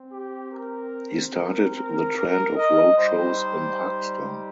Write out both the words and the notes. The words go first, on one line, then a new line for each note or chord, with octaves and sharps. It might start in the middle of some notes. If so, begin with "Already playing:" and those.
He started the trend of road shows in Pakistan.
Already playing: C4
G4
A#4
A#4
A#4
A#4
D#5
G3 D#4 G4 C5